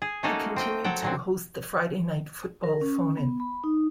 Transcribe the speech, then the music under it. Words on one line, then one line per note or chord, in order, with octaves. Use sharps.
He continued to host the Friday night football phone-in.
G#4
A3 A#3 C#4 D#4 F#4 A4
C4 D#5 G5
F#3 A4 F#5 G5
A#2 F#3 C4
A#4
C#4
B3
B5
D#4